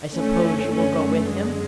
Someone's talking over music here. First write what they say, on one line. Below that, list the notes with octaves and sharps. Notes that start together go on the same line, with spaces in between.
"I suppose you will go with him?"
F#2 D3 A3 C#4
A3 C#4
A3
G#3